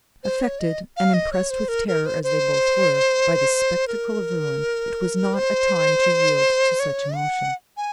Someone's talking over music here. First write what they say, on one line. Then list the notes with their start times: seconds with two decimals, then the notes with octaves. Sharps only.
Affected, and impressed with terror as they both were, by this spectacle of ruin, it was not a time to yield to such emotions.
0.24 C5
0.41 C#5
0.59 D#5
0.97 F5
1.14 D#5
1.32 C#5
1.50 C5
1.68 A#4
1.88 A#4
2.06 C5
2.23 C5
3.88 A#4
5.34 C5
6.80 C#5
7.16 F#5
7.77 G#5